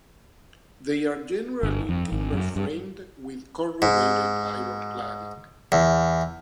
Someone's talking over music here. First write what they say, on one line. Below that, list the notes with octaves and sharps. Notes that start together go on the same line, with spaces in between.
They are generally timber framed with corrugated iron cladding.
G1
F2
G#1
F#2
G2
G#2
E2